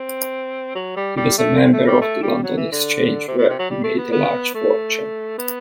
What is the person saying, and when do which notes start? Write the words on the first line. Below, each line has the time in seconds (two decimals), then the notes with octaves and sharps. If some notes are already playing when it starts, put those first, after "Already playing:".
He was a member of the London Exchange, where he made a large fortune.
Already playing: C4
0.75 F#3
0.96 G3
1.17 G3
1.38 A3
1.59 C4
1.73 A3
1.87 G3
2.01 A3
2.22 G3
2.43 F#3
2.57 E3
2.71 D3
3.28 C3
3.38 B2
3.48 C3
3.59 F#3
3.70 G3
3.83 A3
3.98 B3
4.12 B3
4.54 A3
5.38 B3